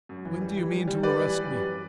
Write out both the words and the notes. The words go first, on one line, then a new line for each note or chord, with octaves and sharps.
"When do you mean to arrest me?"
F#2
E3
G3
E3
G3
G3
G3 B4 D5
E3
G3
F#2